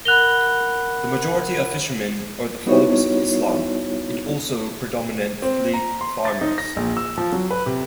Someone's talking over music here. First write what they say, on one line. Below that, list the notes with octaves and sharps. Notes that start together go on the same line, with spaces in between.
The majority of fishermen are the followers of Islam and also predominantly farmers.
A#4 F#5 B5 F#6 F7 G7
G3 B3 D#4 E4 F#4 C#5
C4
A#5
C6
A6
D#4
A#6
A#1
E6
F3
F#3
B4
C3